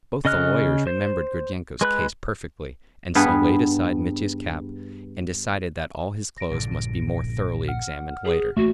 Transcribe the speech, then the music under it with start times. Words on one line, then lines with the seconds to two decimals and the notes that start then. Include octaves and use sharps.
Both the lawyers remembered Gridyenko's case perfectly, and so laid aside Mitya's cap, and decided that all his clothes must be more thoroughly examined later.
0.25 C#3 D#5 F6 F#6
0.87 C5
1.81 G#3 B4 B5 F#6
3.15 G2 B3 G#4
6.38 A#6 D7
6.51 A#1 G2 D3
7.68 F#5 F6
8.25 G#4
8.57 A1 A3 A#3 F#4